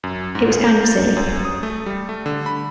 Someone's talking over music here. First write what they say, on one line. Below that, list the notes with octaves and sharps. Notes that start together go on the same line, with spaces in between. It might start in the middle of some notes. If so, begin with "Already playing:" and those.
It was kind of silly.
F#2
G#2
C#2
G6
A6
F#2
D#6
A3
G3
A3
D3
B5